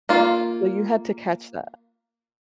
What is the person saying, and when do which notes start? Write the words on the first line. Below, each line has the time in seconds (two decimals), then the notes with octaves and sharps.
So you had to catch that,
0.09 A#3 F4